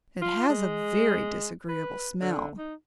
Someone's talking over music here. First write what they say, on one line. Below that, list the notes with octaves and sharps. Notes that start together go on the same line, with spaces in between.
"It has a very disagreeable smell."
F4
G#3
B4
D3
D#4